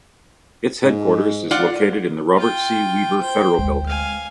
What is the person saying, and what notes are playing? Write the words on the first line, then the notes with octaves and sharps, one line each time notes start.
Its headquarters is located in the Robert C. Weaver Federal Building.
G#2
F4 D5 F#5
F4 G5
C5 G5
D2 G#3
F5 G#5